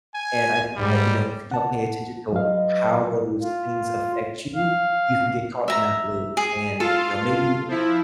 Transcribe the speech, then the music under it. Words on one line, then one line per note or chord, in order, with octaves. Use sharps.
and I think that, you know, if you don't pay attention to w how those things affect you, you can get caught in that loop, and, you know, maybe
G#5
G#2 G3
F#5 A5
F#3 B4 D#5 F5
F4
F5
E5 A#5
G#4
F4 A4 F5
F3 E4